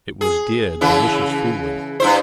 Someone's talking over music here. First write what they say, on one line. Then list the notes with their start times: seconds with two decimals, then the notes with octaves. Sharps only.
It was dear, delicious fooling.
0.21 G#4
0.81 C#3 E3 E4
2.00 G2 E4 C5